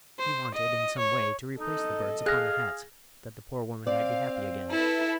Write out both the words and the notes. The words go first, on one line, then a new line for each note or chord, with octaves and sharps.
He wanted, in some way, to replace the birds upon the hats, that the poor woman might be happy again.
C5
D#5
C#5
D#4 A4 D#5
G#4 F5 F6 F#6 A#6
C4 D5 F5
E4 A4 B4 E5